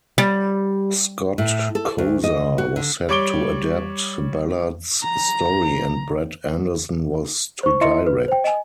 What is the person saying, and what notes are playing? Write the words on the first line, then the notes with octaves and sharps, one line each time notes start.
Scott Kosar was set to adapt Ballard's story, and Brad Anderson was to direct.
G3
A2
A4
D2
D#5
F#4
D3
G3 C#5 D6 D7 G7
A#5
C5 C#6
E4 D#5 E5 C6 C#7
B4
C5 G5
D#5 G#5